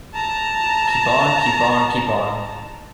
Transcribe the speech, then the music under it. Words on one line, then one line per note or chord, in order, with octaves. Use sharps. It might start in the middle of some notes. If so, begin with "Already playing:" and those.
Keep on, keep on, keep on.
A5 A#5